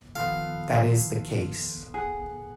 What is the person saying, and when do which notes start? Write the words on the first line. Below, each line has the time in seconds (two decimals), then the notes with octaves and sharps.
That is the case.
0.16 D#3 F3 B3 F4 A4 F5
1.94 G#4 F#5